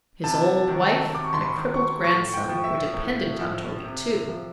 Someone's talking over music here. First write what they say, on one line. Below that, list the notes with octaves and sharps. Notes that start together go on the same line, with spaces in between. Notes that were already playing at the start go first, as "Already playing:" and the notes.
His old wife and a crippled grandson were dependent on Toby, too.
C3 A5
D#3 F#3
C3 D6
C#6
C6
B5
D#3 F#3
C#6
A2 C#6
G5
F3
E5
A2
F3
C3
F3